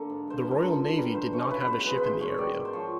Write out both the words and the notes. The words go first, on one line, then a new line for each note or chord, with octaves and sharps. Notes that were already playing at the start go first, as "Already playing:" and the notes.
The Royal Navy did not have a ship in the area.
Already playing: D3 A#3 A4
G#2
G#2 C5
F3 B4
A#4
D3 A4
A#3 A#4
G3 B4
F#2 C5
E3 C#5
C#3 B4
B4
B2 C5
G#3 B4
B4
B2 C5
G#2 C#5
D#3 D5
G#2
C5
F3 C#5